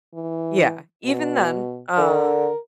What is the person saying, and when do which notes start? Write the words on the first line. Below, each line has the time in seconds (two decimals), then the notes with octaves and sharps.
yeah, even then, um
0.14 E3
1.05 B2
1.98 D3 A#4